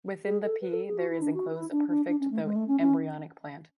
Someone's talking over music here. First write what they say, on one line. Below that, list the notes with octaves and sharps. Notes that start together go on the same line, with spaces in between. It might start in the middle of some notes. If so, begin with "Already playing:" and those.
Within the pea, there is enclosed a perfect, though embryonic plant.
G#4
A4
B4
A4
G#4
F#4
E4
D4
F#4
E4
D4
D4
D4
C#4
A3
G#3
A3
C#4
C#4